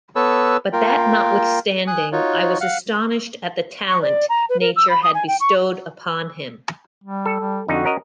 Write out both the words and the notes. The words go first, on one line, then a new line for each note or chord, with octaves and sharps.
But that notwithstanding, I was astonished at the talent Nature had bestowed upon him.
B3 A4 B4 C#5 E6
A#3 F4 A#4 G5
G#5 D#6 F#6
D#4 F4 F#4 C#5
F5 F#5
C#6
D5
A#5
B4
A#4
E6
B5
D#6
G#5
G5
C#6
G3
A4
G3
F2 D3 D#4 F#4
C#4 A#4 D#5